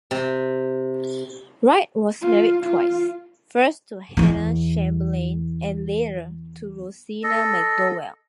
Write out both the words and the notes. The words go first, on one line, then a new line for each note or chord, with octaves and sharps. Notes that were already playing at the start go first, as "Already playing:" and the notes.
Wright was married twice: first to Hannah Chamberlain and later to Rosina McDowell.
C3
F4
F4
E2 E3
A4 D#5